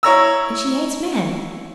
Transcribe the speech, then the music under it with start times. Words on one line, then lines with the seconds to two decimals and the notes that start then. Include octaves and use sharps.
And she hates men!
0.03 E4 C#5 A#5 E6